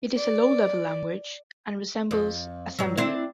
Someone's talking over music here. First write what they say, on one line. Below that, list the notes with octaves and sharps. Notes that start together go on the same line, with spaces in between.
It is a low level language and resembles assembly.
D5
F2
G2 F#3
C4 D4 E4